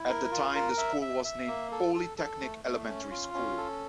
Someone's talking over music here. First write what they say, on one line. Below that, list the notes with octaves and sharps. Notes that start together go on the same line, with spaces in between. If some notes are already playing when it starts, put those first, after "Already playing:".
At the time, the school was named Polytechnic Elementary School.
Already playing: E4
A#4
F4
A#4
E5
E5
E5
A#3
A4
A4
A4
A3
A3
C#4
F4
C#4
A4